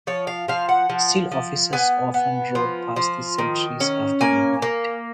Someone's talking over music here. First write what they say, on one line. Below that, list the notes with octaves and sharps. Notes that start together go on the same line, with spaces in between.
Still, officers often rode past the sentries after midnight.
F3 C#5
F5
F3 F5
F#5
F3
F3
B3 G#5
B3
F3
F3
D#3
C#4
A#3 G#5
A#3